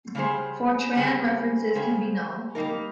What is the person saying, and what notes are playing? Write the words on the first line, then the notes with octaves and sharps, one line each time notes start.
Fortran references can be null.
C#3 G3 C#4 G#4 C5
C#3 G3 C#4 G#4 C5
C#3 G3 C#4 G#4 C5
G3 A#3 D#4 A#4